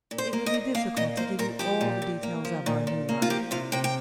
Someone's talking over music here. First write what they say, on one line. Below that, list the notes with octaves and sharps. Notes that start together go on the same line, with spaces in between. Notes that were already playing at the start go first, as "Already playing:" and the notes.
It would be difficult to give you all the details of our new life.
A#2
C5
A#3
D#5
A#2
A#3 F5
A#2 D#5
A#3 C5
A#2 A#4
F3 G4
A#2
A#2
A#3
F3
A#2
A#2
A#3
F4
F3 G4
C3 F4
C3 G5
G5